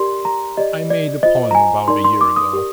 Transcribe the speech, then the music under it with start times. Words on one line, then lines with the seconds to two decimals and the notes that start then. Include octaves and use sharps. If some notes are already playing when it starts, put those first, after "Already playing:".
I made a poem about a year ago.
Already playing: G4 A#4 D5 C6
0.25 A#5
0.57 G4 D5 D#5
0.90 D5
1.23 F4 C5 D#5
1.51 A#5
1.55 G#5
1.88 D#4 A#4 D5 C6
2.04 C6
2.21 D6
2.36 D#6
2.53 G4 A#4 D5